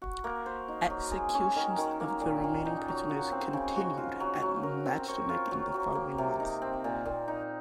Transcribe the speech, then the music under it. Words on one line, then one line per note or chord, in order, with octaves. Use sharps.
Executions of the remaining prisoners continued at Majdanek in the following months.
F#4
A#3
C5
D#4
F#3
G#4
C#4
D#3
D#3
A#3
A#2
A#2
D#4
F#3
F#4
C4
C#3
F#4
F4
F#3
F#3
A#4
C4
C#5
F4
F#3
F#3
A#3
C3
D#4
C4
A#2
A#2
D#4